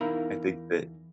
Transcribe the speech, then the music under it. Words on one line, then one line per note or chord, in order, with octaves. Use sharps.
I think that
E2 D#4 E4 A#4 F5 B5